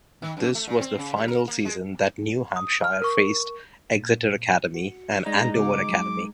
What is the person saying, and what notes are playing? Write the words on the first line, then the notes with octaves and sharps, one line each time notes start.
This was the final season that New Hampshire faced Exeter Academy and Andover Academy.
D#3
F#2
A3
A#2
C4
C#3
G3
A#4
A#3
G#3
D#6
F6
A#4 C#6
A#2
F#4
G#3 D#4 D5 A#5
C#3 B3 F#4 D6
F#3